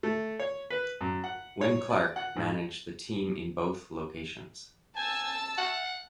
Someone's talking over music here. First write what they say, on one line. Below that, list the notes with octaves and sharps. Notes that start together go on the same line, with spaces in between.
Win Clark managed the team in both locations.
A3
C#5
B4
F#2
F#5
C#5
D5
F#5
G#2
G#5 A5 E6
F#5